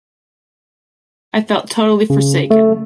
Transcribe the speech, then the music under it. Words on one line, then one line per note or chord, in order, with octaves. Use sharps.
I felt totally forsaken.
C#3
A3